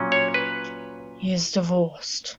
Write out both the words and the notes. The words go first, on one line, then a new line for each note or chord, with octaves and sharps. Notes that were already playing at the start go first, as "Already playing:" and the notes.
He is divorced.
Already playing: A#2 F#3 C#4
C#5
B4